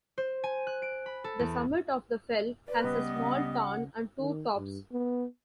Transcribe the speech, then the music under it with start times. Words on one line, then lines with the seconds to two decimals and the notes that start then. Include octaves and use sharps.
The summit of the fell has a small tarn and two tops.
0.18 C5
0.44 G#5
0.67 F#6
0.82 D7
1.06 B5
1.24 A4
1.39 E2
2.68 B4 D5
2.83 C#2 G3 B3 D#5
3.15 C#2 C#3 F#5 A#6
3.52 F#5
4.20 D#3
4.56 G2
4.92 B3